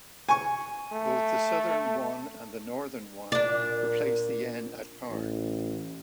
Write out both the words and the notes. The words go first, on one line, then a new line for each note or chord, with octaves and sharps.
Both the Southern won and the Northern won replaced the yen at par.
G#5 C#6
A3
A#2 D4 D5
A1